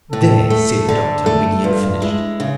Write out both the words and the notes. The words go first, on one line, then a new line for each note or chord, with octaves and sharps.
"There!" said the doctor when he had finished.
A2 A4
A3
D3
A3
G2 F4
G#3 E4
C#3